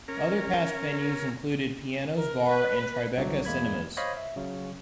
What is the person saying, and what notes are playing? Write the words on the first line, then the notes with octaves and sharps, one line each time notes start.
Other past venues included Pianos Bar and Tribeca Cinemas.
C#4 A#4
A#4
B4
C2 D3 F#3
E2 G#3 A#3 B5 G#6
C5 C#5 D#5 F5 B5
E5
C#3 F#3